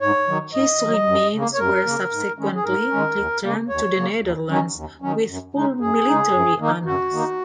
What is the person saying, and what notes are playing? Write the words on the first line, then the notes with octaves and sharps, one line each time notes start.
His remains were subsequently returned to the Netherlands with full military honours.
G#2 C#5
D#3 F#3
G#2 D#5
D#3 F#3
F#2
C#3 A#3
C#5
F#2 A#4
C#3 A#3
G#2
D#3 G#3 C#4
G#4
G#2 A#4
D#3 G#3 C#4
D#2
C#3 A#3
D#2 C#5
C#3 A#3
D#2
D#3 F#3 C#4
D#2
D#3 F#3 C#4
F#2
C#3 G#3 D#4
F#2 G#4
C#3 G#3 D#4
F#2
D#3 A#3 D#4
F#2 F#4
D#3 A#3 D#4